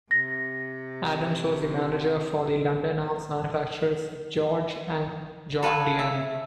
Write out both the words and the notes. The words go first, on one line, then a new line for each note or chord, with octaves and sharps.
Adams was the manager for the London arms manufacturers George and John Deane.
C3 A#6
A4 B4 F5 G#5
E5